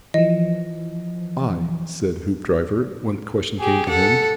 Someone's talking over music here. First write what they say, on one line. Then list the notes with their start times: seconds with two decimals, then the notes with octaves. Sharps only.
"I?" said Hoopdriver when the question came to him.
0.14 E3 F3 D#5
3.59 G4 G#4
3.89 A4 F#5